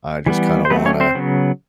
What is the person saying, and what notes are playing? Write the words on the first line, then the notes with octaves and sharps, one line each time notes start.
I just kinda want a
E3 G3 B3
C5
F#3 A3 B3 C4 B4
C#4 C#5
C4 C5
C#3 F#3 B3